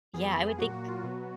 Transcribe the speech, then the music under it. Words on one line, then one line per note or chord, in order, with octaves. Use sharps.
Yeah, I would think
F2 F3 B3 G#4
G#4
A#2 F#3 A#3 F#4
F#4
F4
B2 F#3 B3 F#4